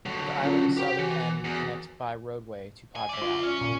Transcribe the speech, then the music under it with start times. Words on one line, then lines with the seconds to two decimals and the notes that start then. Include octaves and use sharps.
The island's southern end connects by roadway to Padre Island.
0.06 D3 F#3
0.43 C#4 F4 A#4
0.77 F#4 G4 A#4 C5 G5
0.99 E3
1.45 E2
2.96 G#5
3.09 D5 E5
3.22 F4
3.43 C#4
3.61 A#2